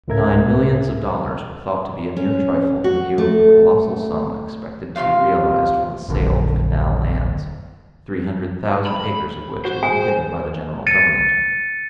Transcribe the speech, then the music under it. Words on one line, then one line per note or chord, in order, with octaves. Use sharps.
Nine millions of dollars were thought to be a mere trifle in view of the colossal sum expected to be realized from the sale of canal lands, three hundred thousand acres of which had been given by the general Government.
C#2 A2 C#3 A#4 E5 G#6
C#4
F#4
A3
C3 C#4 F4 F5
D#1 A#1 F#2 D3
B5
F#4 C5
G#4 G#5
A6 C#7 D#7